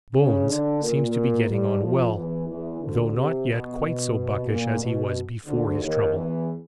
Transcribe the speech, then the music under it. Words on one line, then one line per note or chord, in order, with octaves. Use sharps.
'Bones' seems to be getting on well, though not yet quite so buckish as he was before his trouble.
C#3 C#4
D3 D4
A#2 A#3
G2 G3
F2 F3
E2 E3
E2 E3
D2 D3
C3
B2
B2
A#2
B2
D2 D3
D#2 D#3
E2 E3